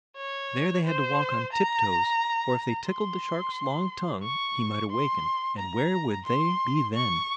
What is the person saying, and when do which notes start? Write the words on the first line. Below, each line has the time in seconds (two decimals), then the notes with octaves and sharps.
There they had to walk on tiptoes, for if they tickled the Shark's long tongue he might awaken--and where would they be then?
0.17 C#5
0.85 C5
1.53 A#5
2.87 C6
4.23 C#6
4.90 C6
5.59 A#5
6.26 C6
6.94 C#6